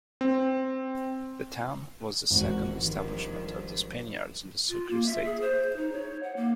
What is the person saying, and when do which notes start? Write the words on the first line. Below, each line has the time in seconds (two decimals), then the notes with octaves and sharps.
The town was the second establishment of the Spaniards in the Sucre State.
0.21 C4
2.31 G#1 E2 G#2 F#4
2.75 G2 D#3 F3
4.69 F4
4.91 A#3
5.06 E5
5.25 G#4
5.41 C5
5.77 D#4
5.93 C#5
6.23 F#5
6.36 A#3